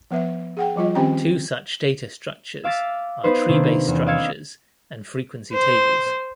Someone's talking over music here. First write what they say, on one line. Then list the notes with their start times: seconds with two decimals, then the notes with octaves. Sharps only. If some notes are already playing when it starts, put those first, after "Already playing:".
Two such data structures are tree-based structures and frequency tables.
0.11 F3 B3 B4 E5
0.57 G#4 F#5 G5
0.76 F3 G3 F4 D#5
0.95 D#3 C4 C#4 G4 G5 A#5
2.64 E5 F5 D6 E6 A6 B6
3.24 B3 D#4 B4 C5
3.48 C3 D#3 A#3 D4
3.87 E2
4.06 D5 D#5 F5 E6 G#6 C#7
5.54 C5